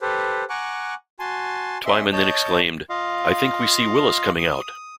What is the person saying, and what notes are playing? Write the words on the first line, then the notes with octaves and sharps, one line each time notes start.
Twyman then exclaimed: ""I think we see Willis coming out!
G4 A4 B4 C5
F#5 G#5 A#5 C#6 D6 F#6
F#4 G#5 A5 C6
C#4 D#5 E5 C6
C#5 D#5 A5 G6
F4 D#5 F5
D#6